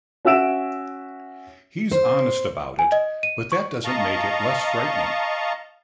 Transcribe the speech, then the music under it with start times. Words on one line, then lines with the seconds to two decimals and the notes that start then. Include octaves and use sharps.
He's honest about it, but that doesn't make it less frightening.
0.25 C#4 F#4 E5 E6 D7 E7
1.91 C5
2.79 G#5
2.92 D#5
3.23 D#7
3.52 C#6
3.85 D#5 F5 A5 A#5 C#6